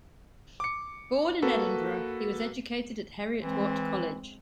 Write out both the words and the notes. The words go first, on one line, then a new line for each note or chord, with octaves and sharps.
Born in Edinburgh, he was educated at Heriot-Watt College.
D6 C#7
A#3 F#4 A4 B4
E3 G#3 C4